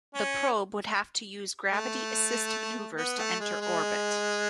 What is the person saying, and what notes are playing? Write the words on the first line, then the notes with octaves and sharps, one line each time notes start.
The probe would have to use gravity assist maneuvers to enter orbit.
C#4
A3
B3
A3
G#3
G#3